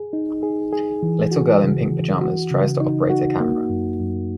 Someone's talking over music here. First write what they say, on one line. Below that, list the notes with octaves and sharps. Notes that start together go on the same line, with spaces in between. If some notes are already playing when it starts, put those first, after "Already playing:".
A little girl in pink pajamas tries to operate a camera.
Already playing: G#4
D#4
G#4
G#4
E3
F#4
C#3
E3
F#4
C#3
D#4
F#4
A#3
F#2
F#2